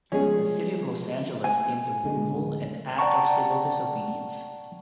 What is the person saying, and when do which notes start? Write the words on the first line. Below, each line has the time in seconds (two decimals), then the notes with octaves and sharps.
The City of Los Angeles deemed the removal an act of civil disobedience.
0.12 F3 G3 G#3 C#4 G#4
1.44 G#5
2.04 D1 D3 G#3
2.99 D5 F#5 G5 A5 A#5 C#6